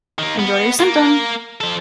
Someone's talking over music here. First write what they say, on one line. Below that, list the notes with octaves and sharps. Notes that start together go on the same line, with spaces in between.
Enjoy Your Symptom!
D#3 A#3
B3
A#3
F3 A4